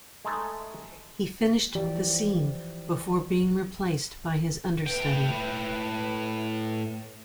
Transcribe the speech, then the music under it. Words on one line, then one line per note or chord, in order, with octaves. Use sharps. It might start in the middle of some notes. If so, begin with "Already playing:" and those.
He finished the scene before being replaced by his understudy.
G#3 A3 D#4 A4 B4 E5
E3 F3 G4 D5
A2 B4 E5 G5